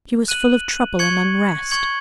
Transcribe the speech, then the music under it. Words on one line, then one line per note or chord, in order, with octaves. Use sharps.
She was full of trouble and unrest.
F#6 D#7 F#7
C#6 G#6 C#7 F#7
C#6 G#6 C#7 F#7